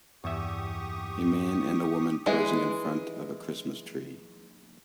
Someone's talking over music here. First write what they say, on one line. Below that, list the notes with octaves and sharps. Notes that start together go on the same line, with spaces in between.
A man and a woman posing in front of a christmas tree.
E2 G2 G4 E5 C#6 D#6
E3 G#3